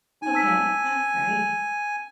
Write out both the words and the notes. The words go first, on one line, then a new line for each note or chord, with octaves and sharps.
Okay, that's great.
D#4 G#5
A5 E6 B6